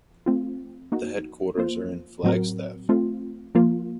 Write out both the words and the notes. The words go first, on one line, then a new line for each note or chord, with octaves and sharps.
The headquarters are in Flagstaff.
A3 C4 F4
A#3 D#4 F#4
A#3 F4 C5
A2 F#3 C4 F#4 A#4
A3 C4 F4
F3 A#3 F4